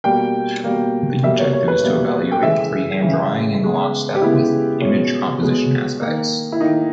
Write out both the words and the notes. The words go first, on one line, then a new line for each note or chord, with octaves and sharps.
The objective is to evaluate the freehand drawing in lockstep with image composition aspects.
B2 G3 A#3 G5
B2 G3 A#3
B2 G3 A#3 E5
C#5
C#5
B4
B2 G3 A#3
G5
C#3 E3 G#3 E5
C#3 E3 G#3
C#3 G#3 B3
G4
C#3 G#3 B3 E4
B2 G#3 B3 C#4
B2 G#3 B3
D#3 A#3
E4
D#3 A#3 D#4